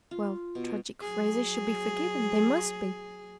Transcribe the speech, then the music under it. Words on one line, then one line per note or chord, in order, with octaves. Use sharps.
Well ... tragic phrases should be forgiven, they must be.
F4
B2
F#3 G#4